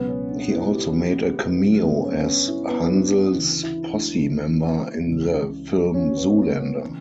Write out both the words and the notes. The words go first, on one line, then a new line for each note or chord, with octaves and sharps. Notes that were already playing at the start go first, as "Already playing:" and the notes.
He also made a cameo as Hansel's Posse member in the film Zoolander.
Already playing: C#2 B2 F#3 B3
C#4
D4
E4
G4
G4
G2 D3 F#3
B3
C#4
B3
C#4
E4
B3
D4
D4
D2 C#3 E3 E4
E4
D4
C#2 C#3 E3
C#4
B3
A#3
B3
C#3 E3